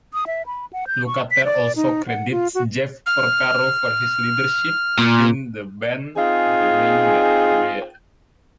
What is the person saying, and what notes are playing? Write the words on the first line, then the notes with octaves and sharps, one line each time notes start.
Lukather also credits Jeff Porcaro for his leadership within the band during that period.
D#6
E5
B5
F#5
G6
C#6
B6
D5
D#4
F#5
F4
F#4
F6
A#2
C4 D#4 F4 G#4